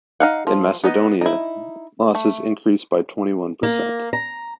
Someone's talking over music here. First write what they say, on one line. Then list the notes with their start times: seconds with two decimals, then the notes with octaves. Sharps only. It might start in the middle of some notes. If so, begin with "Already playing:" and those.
In Macedonia, losses increased by twenty-one percent.
0.20 D#4 F5 F#5
0.47 F3
0.84 B3 D#4 D#5
1.21 D#4 E4
2.15 A3
3.63 A#3
4.13 A#5